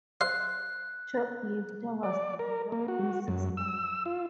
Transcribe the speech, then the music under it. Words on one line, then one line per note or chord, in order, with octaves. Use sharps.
"Choplifter" was developed in six months.
C5 F5 F#6
D5
A#4
A#3
F#4
F#2
E6
F4